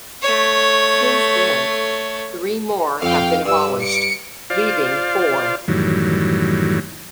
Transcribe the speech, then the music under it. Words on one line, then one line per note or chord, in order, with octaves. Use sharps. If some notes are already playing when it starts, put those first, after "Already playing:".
Since then, three more have been abolished, leaving four.
A3 C#5
F2 F5 G5
G2 E6
C#7 D7
F4 C5 D5 F5
F#2 A2 D#3 E3 F#3 G3